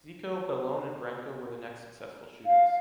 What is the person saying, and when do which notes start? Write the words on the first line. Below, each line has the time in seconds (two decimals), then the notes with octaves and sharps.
Zico, Bellone and Branco were the next successful shooters.
2.46 F5